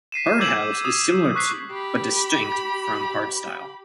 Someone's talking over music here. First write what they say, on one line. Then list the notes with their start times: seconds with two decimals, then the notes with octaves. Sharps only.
Hard house is similar to, but distinct from hardstyle.
0.12 B6 C7 D#7 E7
0.40 D6 E6 G6 G#6 E7 F#7
0.85 D#6 E7
1.35 C#6 F#6 B6 C7
1.71 G4 B5